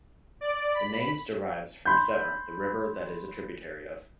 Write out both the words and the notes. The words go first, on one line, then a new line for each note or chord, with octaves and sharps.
The names derives from Severn, the river that it is a tributary of.
D5
B5
B5 C6 G6